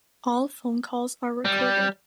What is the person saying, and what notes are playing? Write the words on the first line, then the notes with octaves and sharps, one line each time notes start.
All phone calls are recorded.
G3